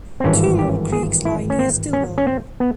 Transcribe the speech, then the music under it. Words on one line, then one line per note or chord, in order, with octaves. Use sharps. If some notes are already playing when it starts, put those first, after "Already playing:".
Two more creeks lie near Stilwell.
C4
G#1 G2 E3 C#4
G4
G#4
E4
C#4
C4
C#4
C#4
C4
B3